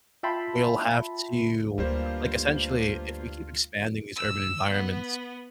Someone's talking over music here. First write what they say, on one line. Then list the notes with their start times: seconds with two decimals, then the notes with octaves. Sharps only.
we'll have to, like, essentially, if we keep expanding these urban environments,
0.23 F4 E5 G5 A5 B5 C6
1.78 D2 G2 G3 A3 A#3 D4 F4 C5
4.16 E6
4.71 B3